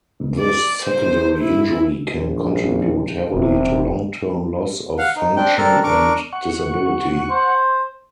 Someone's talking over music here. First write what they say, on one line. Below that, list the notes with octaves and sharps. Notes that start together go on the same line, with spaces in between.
This secondary injury can contribute heavily to long term loss of function and disability.
D5
C5
E4
A#1
D#1 C3
F5 F#5
D#4
C4 D4 G5
C4 D4 A4 A#4
D4 A#4 C#6 D6
F#5 C#6
C5